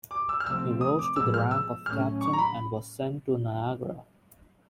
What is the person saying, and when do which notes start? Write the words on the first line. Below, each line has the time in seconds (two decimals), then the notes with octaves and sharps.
He rose to the rank of captain and was sent to Niagara.
0.11 D6
0.29 E6
0.40 F6
0.46 C3 F3 A3 C4 E6
0.81 D#6
0.99 D6
1.16 A2 F3 G#3 B3 E6
1.34 F6
1.51 E6
1.86 A2 F#3 A3 C#4 F6
2.21 C#6
2.33 A#5
2.39 B5